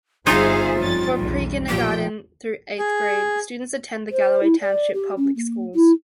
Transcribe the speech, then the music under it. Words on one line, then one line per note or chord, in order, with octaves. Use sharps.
For pre-kindergarten through eighth grade, students attend the Galloway Township Public Schools.
G1 D#4 F4 G#4 C5 E5 F5
F2 G3 C#4 A6
B1 E2
A#2 F3 G4 G5
G#4
C5
E4
D5
G4
C#4
A#3
E4